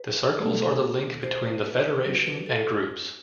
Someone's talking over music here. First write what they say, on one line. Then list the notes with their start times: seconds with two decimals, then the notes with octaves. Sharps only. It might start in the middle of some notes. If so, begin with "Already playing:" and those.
The circles are the link between the Federation and groups.
Already playing: B4
0.40 B2 A3 D4 A4
1.23 C5
1.64 B4
2.05 G3 C4 F#4 B4
2.26 B4
2.46 A4